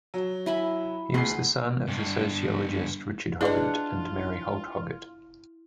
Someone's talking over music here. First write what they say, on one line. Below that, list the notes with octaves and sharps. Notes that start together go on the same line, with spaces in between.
He was the son of the sociologist Richard Hoggart and Mary Holt Hoggart.
F#3
E4 G#5 B5
D2 G#4 B4 C7
G2 D3
D4 E4 F4 G#4 B4 D#5 F#5